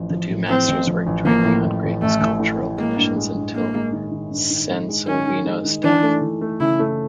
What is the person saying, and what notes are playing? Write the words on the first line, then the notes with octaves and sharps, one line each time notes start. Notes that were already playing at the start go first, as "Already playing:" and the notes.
The two masters worked jointly on great sculptural commissions until Sansovino's death.
Already playing: A1 F3
F3
A2
A2 C4
A1
F3
A1
F3 A#3
A2
A1
A1
A1 A3
A1
A2
A2
G#3 A#3
G2
G#3
G2
G2 A#3
G#3
D#3
D#3
G2
D#3
G#3
G#3
D#3 C#4
D#3
G#3
D#3
E3 D4
A3
E3
A3
C#3 E4
A3